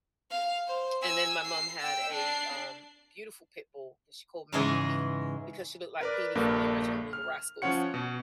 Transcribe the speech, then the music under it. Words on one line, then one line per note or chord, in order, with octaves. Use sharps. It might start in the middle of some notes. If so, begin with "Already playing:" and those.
And then my mum had a, um, beautiful pit bull that she called Maggie Pete because she looked like Petey from the original Little Rascals.
F5
C5
G#5 E6
C7
G5 E6
D4 C7
G#2 C#3 E3 G#3 G#4 D#5
A#4 B4 D5
A#1 G2 A#3 D4 A4 A#4
F6
F3 C#4 F4 C#5 F#5 C#7
B2